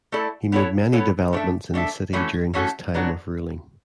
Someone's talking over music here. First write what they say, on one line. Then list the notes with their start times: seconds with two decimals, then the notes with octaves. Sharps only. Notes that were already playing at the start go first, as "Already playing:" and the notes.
He made many developments in the city during his time of ruling.
0.12 A3 E4 A4 D5
0.52 B3 E4 A4 C#5
0.93 B3 E4 A4 C#5
1.33 A3 D4 A4 E5
1.74 A3 D4 A4 E5
2.13 E3 A3 C#4 F#4 A4
2.54 E3 A3 C#4 F#4 A4
2.94 C#3 F#3 B3 D4 F#4